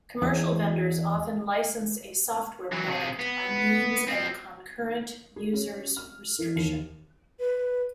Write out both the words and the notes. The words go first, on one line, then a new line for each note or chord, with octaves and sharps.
Commercial vendors often license a software product by means of a concurrent users restriction.
E2
E3 F#3
C3 G#4
B3
F3 C4
G#4
C#4
F6
E3
D#2
B4